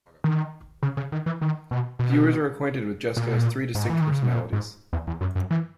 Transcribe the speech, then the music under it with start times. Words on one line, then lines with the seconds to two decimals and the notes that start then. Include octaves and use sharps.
Viewers are acquainted with Jesco's three distinct personalities.
0.24 D#3
0.83 C#3
0.97 C#3
1.12 D#3
1.26 E3
1.41 D#3
1.71 B2
1.99 B2
3.17 A#2
3.27 B2
3.36 A#2
3.75 G#2
3.90 E3
4.01 D#3
4.11 C#3
4.23 B2
4.33 A#2
4.53 G#2
4.93 E2
5.07 E2
5.21 F#2
5.35 F#2
5.51 E3